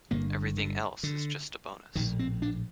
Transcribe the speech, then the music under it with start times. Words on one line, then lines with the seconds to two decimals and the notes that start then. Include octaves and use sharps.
Everything else is just a bonus.
0.11 G1 G2 D3 A#3
0.57 D3
1.03 D3
1.95 A#1 A2 D#3
2.19 C4
2.42 D4